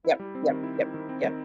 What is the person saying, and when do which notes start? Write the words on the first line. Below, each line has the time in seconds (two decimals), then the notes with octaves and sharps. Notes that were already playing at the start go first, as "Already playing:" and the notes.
Yep, yep, yep, yep.
0.05 E4
0.19 G3
0.35 C4
0.49 D#3
0.64 E4
0.79 D#3
0.94 D#3
1.09 C4
1.23 D#3